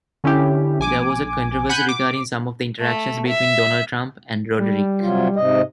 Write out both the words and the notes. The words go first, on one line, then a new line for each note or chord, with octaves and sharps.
There was controversy regarding some the interactions between Donald Trump and Roderick.
D3 C#4 E4 G4
A#1 G#5 D6
F#5 G#5 B5 F#6 G6
D6
A3
E5
G3
C3 F#3 F4
G#2 C3 D#5